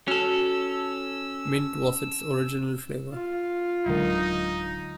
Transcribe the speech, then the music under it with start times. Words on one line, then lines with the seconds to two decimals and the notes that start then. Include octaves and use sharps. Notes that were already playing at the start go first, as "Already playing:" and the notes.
Mint was its original flavor.
0.08 C#4 F#4 A4 E6
3.13 F4
3.86 D1 D3 F#3 G#3 D#4 A#4